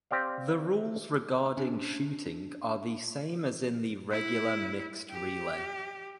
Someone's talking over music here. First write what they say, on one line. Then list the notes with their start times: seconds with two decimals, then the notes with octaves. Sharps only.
The rules regarding shooting are the same as in the regular mixed relay.
0.11 C4 G4 D5 F5
1.57 C#4 D4
4.11 E4
5.10 G4